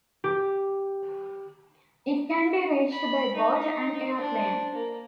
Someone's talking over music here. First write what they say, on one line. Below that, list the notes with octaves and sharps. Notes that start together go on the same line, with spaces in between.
It can be reached by boat and airplane.
G4
B5
D#4
D4 C5
A#3